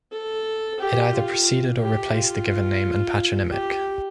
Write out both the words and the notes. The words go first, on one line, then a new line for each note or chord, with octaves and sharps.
It either preceded or replaced the given name and patronymic.
A4
G4
F4
G4
F4
G4